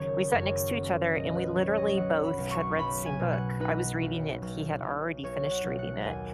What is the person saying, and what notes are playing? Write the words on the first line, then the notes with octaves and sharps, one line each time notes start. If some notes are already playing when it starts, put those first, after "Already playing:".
we sat next to each other, and we literally both had read the same book. I was reading it, he had already finished reading it,
Already playing: F#1 D#3 C#5
F#2 C#5
B3
B1 D#5
B4
F#3 C#5
D#5
F#3 F#5
B5
B1
C#6
B1 B5
G#5
B2
F#5
D#4 B4
B1
B1
B1
B1 C#5
F#5
B1
F#5
D#2 G#5